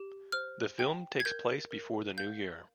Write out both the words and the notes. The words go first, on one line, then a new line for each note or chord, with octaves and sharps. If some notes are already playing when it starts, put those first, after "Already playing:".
The film takes place before the New Year.
Already playing: G4
C5 F6
G5
G#6
A#4 G6
A#4
F5 G6